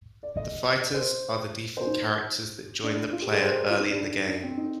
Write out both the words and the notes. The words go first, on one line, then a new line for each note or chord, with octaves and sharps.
The Fighters are the default characters that join the player early in the game.
D5
D#5
D#5
C5
C5
D#4
D4
F4
G4
G#4
C5
A#4
F4
D#4
D4
D4
C4
D#4